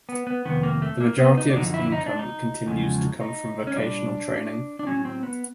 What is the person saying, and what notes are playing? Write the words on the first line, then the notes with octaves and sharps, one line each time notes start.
The majority of its income continues to come from vocational training.
B3
B3
F2 C3 D#3 B3
A#3
A3
A#3
B3
D#4
D4
F#2 D3 F3 D#4
E4
D#4
D4
D#4
E2 C#3 F3 G#3
D#4
C#4
A#2 G3 D4
D4
A2 F#3 C#4
C4
B3